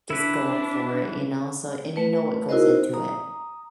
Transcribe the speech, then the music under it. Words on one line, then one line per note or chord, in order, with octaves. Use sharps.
just going for it, you know? So and you know what goes into it.
D4 E4 B4
A3 B4
D#4 E4 F#4 A#4 C5 D#5
A#5 D#6